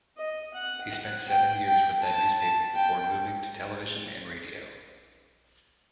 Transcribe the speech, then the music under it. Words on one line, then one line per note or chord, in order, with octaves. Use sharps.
He spent seven years with that newspaper before moving to television and radio.
D#5
F#5
F#5
G5
G5
A5
A5
G5